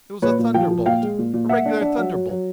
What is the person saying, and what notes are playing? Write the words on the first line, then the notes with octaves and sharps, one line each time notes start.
It was a thunderbolt, a regular thunderbolt!
A#2 B4 C#5
A#2
F3 F5 G5
F3
A#2 F5 G5
G#3
A#2
A#2
A#3 E5 F#5
D4
D4
F#3
F#3
F#3